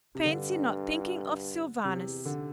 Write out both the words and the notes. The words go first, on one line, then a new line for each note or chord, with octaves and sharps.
"Fancy not thinking of Sylvanus!"
C3
G2 D3
E2 C3
D3